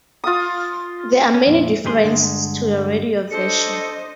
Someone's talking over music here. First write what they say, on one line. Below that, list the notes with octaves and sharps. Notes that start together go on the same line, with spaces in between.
There are many differences to the radio version.
F4 F5 D#6
C#4
F2 A#2
D#2 G#2 G4 G#4 C6
G2 D3 G#3
D4 A4 C5 D#5 C#7